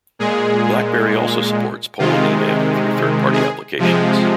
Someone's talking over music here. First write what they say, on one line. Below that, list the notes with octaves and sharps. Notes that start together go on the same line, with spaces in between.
BlackBerry also supports polling email, through third-party applications.
A#2 G#3 G#4
C3 D#3 G#3 F4
G#4
C3 F3 G#3